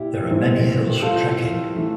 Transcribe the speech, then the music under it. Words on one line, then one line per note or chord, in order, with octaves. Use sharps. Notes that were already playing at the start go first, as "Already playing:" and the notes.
There are many hills for trekking.
Already playing: A#2 E4 G4
A2 E3 G3 C4
F4 A4
E3 A3